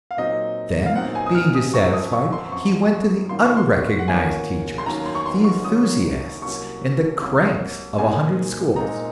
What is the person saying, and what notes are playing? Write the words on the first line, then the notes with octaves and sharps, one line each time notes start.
Then, being dissatisfied, he went to the unrecognized teachers, the enthusiasts and the "cranks" of a hundred schools.
F5
A#2 F#3 C4 D#4 D#5
F5
A#2 F#3 C4 D#4 F#5
G#5
D#6
F6
D#6
F#2 F3 C4 C#6
D#6
C#6
C6
F#2 F3 C4 C#6
G#2 D#3 A#3 C#4 F4 C6
C#6
C6
F#5
G#2 D#3 A#3 C#4 F4 G#5
C6
D#2 D#3 F#3 C#4 A#5
C6
C#6
C6
C#6
D#2 D#3 F#3 C#4 D#6
C2 C3 F#3 A#3 C#4 C#6
C2 C3 F#3 A#3 C#4
A#2 G#3 C4 D#4 G#5
A#2 G#3 C4 D#4 A#5